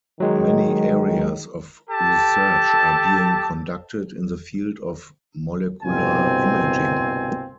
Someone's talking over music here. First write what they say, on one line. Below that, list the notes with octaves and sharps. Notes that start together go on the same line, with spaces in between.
Many areas of research are being conducted in the field of molecular imaging.
D#3 F#3 G#3
G4 A4 A5
G1 C2 B2 A#3 C4 G#5